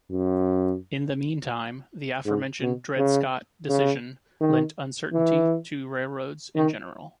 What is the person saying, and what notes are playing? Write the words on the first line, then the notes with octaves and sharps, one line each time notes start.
In the meantime, the aforementioned Dred Scott decision lent uncertainty to railroads in general.
F#2
G#2
B2
C#3
C#3
D#3
E3
D#3